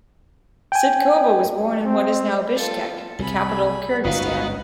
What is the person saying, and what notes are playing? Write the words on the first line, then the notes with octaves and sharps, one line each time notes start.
Sydykova was born in what is now Bishkek, the capital of Kyrgyzstan.
G5 G#5
C4
F4 A4
C2 G#4 B5
G1 C#2 A2 B3 D#4 F#4 F5